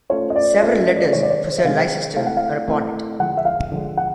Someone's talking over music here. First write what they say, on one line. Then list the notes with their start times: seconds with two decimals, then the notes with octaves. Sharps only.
Several letters for Sir Leicester are upon it.
0.10 A3 C#4 F4 A4 C5 C#5
0.30 D#5
0.36 D5
0.61 A3 C#4 F4 A4 C5 E5
0.79 E5
0.96 D5
1.13 C3 D#3 G#3 C#5
1.23 D5
1.30 C#5
1.47 C5
1.58 E5
1.65 C3 D#3 G#3 F5
2.16 A3 C4 E4 A4 F5
2.26 F#5
2.37 F5
2.68 A3 C4 E4 A4
3.19 D3 F3 G#3 F#5
3.37 E5
3.45 F5
3.72 D3 F3 G#3
3.97 F#5